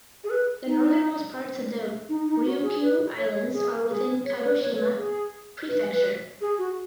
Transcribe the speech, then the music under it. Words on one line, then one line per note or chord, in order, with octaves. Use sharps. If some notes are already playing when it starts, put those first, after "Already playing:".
The northernmost parts of the Ryukyu Islands are within Kagoshima Prefecture.
G#4
B4
D#4
D#4
D#4
F#4
G#4
B4
C#5
G#4
G#4
C#5
B4
C#5
B4
G#4
B4
B4
G#4
F#4